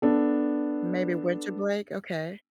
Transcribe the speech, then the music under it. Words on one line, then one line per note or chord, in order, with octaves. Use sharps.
Maybe winter break, okay.
B3 D4 A4